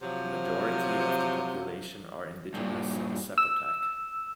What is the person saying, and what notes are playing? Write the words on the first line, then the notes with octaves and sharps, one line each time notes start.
The majority of the population are indigenous Zapotec.
C3 F3 F#3
G2 A#2
E6